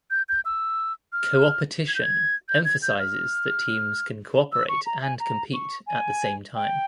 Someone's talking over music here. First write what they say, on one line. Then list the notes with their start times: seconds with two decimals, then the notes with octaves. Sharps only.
Coopertition emphasizes that teams can cooperate and compete at the same time.
0.11 G6
0.29 G6
0.45 E6
1.13 F6
1.88 G#6
1.95 G6
2.03 G#6
2.49 G6
2.65 G#6
2.83 G6
3.00 F6
4.52 E6
4.69 C#6
4.86 A#5
5.02 G#5
5.20 A#5
5.53 C#6
5.87 G#5
6.55 G5